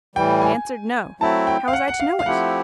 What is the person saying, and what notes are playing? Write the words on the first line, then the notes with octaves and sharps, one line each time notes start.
I answered, No; how was I to know it?
A2 E3 G3 G5
G#5
F#3 A3 C4 E4 A5
G5
F5
F#5
F#5
F5
F5
F3 A3 C4 E4 G4 F#5